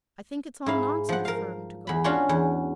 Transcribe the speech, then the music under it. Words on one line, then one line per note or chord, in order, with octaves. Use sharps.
I think it's all nonsense for 'em to go.
G#2 E4 F5
F3 F#5
A#4 F5
E2 B5
C#4 D4 F4 F#4 F5 F#5
E2